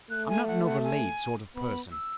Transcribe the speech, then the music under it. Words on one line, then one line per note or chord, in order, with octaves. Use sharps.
I'm not an overlaid sort of person.
A3 F#6
G#5
F#5
F#5
G#5
B3 B5
E6